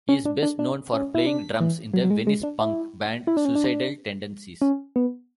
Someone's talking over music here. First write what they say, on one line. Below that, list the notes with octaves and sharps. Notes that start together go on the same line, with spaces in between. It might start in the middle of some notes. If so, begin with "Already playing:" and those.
He is best known for playing drums in the Venice punk band Suicidal Tendencies.
C#4
D4
D4
D4
C#4
E4
D4
E3
F#3
F#3
G#3
G#3
D4
E4
E4
D4
C#4
D4
C#4
B3